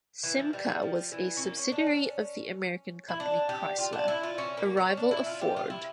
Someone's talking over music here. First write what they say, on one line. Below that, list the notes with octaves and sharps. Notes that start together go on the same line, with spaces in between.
Simca was a subsidiary of the American company Chrysler, a rival of Ford.
E3
F3
G3
G3
F3
E3
C#4
A#3
C#4
D4
C#4
E4
D4
G4
F4
D4
E4
F4
C#4
A#3
C#4
D4
E4
F4
G4
F4
E4